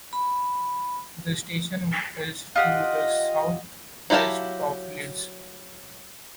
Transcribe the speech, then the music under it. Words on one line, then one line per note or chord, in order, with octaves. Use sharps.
The station is to the south west of Leeds.
B5
F4 G4 D#5 F#5
F#3 E4 G4 F5 A5